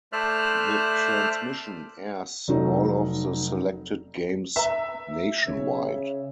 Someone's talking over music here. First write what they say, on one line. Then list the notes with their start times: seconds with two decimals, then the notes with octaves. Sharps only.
The transmission airs all of the selected games nationwide.
0.13 A3 C5 D5 E5 F6 F#6
2.48 F1 F#3 D#4
4.56 B4 E5 A#5
5.47 C#3 C#5